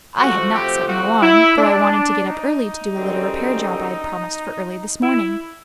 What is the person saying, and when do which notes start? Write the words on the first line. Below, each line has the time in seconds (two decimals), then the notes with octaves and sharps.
I had not set an alarm, though I wanted to get up early to do a little repair job I had promised for early this morning.
0.19 C3 F3 A3 F#4
0.53 G4
0.88 F#4
1.23 E4
1.58 D4
2.27 D#4
2.96 F#2 D3 G3 C4
5.04 E4